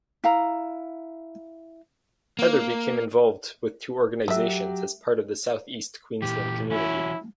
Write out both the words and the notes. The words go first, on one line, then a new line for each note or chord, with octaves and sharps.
Heather became involved with two organisations as part of the South East Queensland community.
E4 F5 A#5
A#3
F#3 A3 G4 E5
A#2 E3 G4
E3 F#3 C#4 E4 F#4